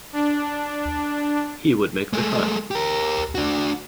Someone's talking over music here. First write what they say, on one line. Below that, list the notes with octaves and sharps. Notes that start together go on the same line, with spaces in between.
He would make the cut.
D4
G#3 A3
G4 A#4
D4 F#4